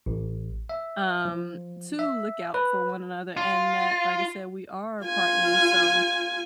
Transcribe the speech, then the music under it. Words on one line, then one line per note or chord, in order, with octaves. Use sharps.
um to look out for one another and that, like I said, we are partners so
A1
E5
F3
E5
B4
F4
F4 G#5